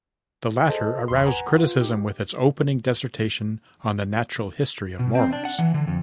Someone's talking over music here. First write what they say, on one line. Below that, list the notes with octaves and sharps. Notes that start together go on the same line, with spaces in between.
The latter aroused criticism, with its opening dissertation on the natural history of morals.
G#4 A4 C5 D#5 A5
G#1 E2 B5 C6
B4 F#5 G#5 A#5
F4 B4
D#4 G4
B2
C4
D4
F#5
E3
D3
F2